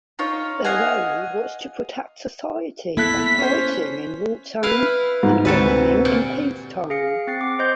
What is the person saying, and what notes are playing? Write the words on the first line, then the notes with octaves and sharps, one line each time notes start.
Their role was to protect society by fighting in wartime and governing in peacetime.
D#4 F4 C#5
D#5 F5 F#5 G#5
A#3 B3 E4 A4 F#6 B6
C#4 C5
E4 B4 F5
G#2
D2 C3 A4 B4
A#2
G#4 F5 C#7
C4 A6 C7
F#5 D6
C5 D#5 C6 G6